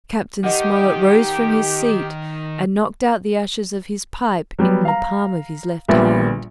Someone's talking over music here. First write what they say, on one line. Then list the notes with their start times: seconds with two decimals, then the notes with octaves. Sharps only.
Captain Smollett rose from his seat and knocked out the ashes of his pipe in the palm of his left hand.
0.44 D#3 D#4 G4 D#5 F#5
4.59 F#3 G3 B3
4.85 F5 A#5
5.88 A#1 A#2 G3 B3 E5